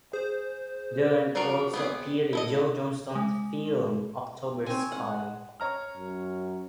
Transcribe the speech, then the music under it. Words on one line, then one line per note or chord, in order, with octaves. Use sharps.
Dern also appeared in Joe Johnston's film "October Sky".
G#4 C5
A#4
F3 D4 F4 F#4 A#4
B3 C4 G#4
E4 A4 D#5
G#3
C4 C#5 G#5
G#3 F#5
C#5 A#5 F6
F#2